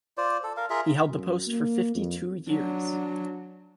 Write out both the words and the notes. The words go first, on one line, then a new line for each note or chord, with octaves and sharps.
He held the post for fifty-two years.
F4 C5 D5
A4
A#4 F5
F4 G#4 A#4 E5
F#2
A#3
F2
F#3 D4